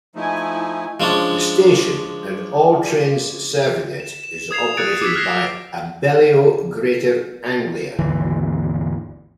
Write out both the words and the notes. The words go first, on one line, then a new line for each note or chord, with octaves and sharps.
The station, and all trains serving it, is operated by Abellio Greater Anglia.
F3 A3 D#4 E4 G#5
F3 G#3 C#4 D4
E7
E7
D#6 G#6 C7 F7
D#6 F#6 G#6 A6 C#7 D7
D6 E6 G#6 B6
F6 F#6 G#6 A#6 C7
G#1 D#2 D3 E3